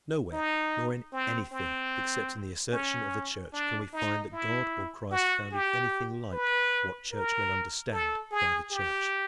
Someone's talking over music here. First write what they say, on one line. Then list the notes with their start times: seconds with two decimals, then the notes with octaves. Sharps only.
Nowhere nor in anything, except in the assertion of the Church, can we find that God or Christ founded anything like what Churchmen understand by the Church.
0.33 D#4
1.12 C4
1.52 C4
2.73 C#4
3.53 D4
3.93 D#4
4.33 E4
5.12 F#4
5.52 G4
6.33 B4
7.12 A#4
7.92 A4
8.31 G#4
8.71 G4